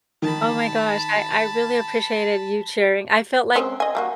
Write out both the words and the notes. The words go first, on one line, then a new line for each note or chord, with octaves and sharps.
Oh my gosh, I I really appreciated you sharing I felt like,
D#3 A5 B5
G#3 C4 C#4
D#5 G#5
G3 A#3 F#4